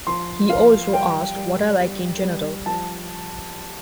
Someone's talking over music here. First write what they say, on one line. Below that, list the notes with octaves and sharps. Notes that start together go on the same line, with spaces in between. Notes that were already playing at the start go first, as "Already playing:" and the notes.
He also asked what I like in general.
F3 C6
F3 F5
G3 G5
G3
G3
G3
F3 A5